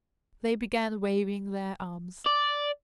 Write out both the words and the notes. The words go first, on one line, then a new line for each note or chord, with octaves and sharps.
They began waving their arms.
D5